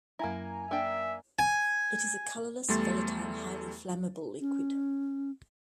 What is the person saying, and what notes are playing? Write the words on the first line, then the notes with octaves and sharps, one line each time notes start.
It is a colourless, volatile, highly flammable liquid.
F#2 A#3 E4 G#5 A#5
A#3 D4 E5 G5
G#5
E2 G3 A3 C6 A6
C#4